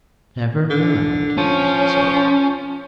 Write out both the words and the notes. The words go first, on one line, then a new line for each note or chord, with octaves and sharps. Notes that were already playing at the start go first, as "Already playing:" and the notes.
"Never mind," Peterson said.
D3
F3 C#4